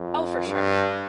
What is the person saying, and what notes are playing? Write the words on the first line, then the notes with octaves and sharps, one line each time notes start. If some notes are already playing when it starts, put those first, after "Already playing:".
Oh, for sure.
Already playing: F2
G2